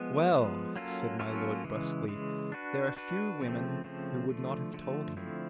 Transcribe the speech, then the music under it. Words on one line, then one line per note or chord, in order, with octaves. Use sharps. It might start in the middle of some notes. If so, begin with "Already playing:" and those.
"Well," said my lord brusquely, "there are few women who would not have told him."
Already playing: F3 G#3 B3
F3 G#3 B3
F#3 A#3 C#4 F4 A4
F#3 A#3 C#4 F4 A4
C#3 E3 G#3
C#3 E3 G#3
D4 F#4 B4
D4 F#4 B4
C#3 F3 A3 C4
C#3 F3 A3 C4
D3 F3 A3
D3 F3 A3
D3 F3 A3 C4 E4